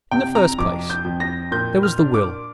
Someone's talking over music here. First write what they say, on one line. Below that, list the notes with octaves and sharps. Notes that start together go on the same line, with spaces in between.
In the first place, there was the will.
C3 G5
A#5
F2 D6
G6
F2
A#6
A#2 G6
F6
D4
D6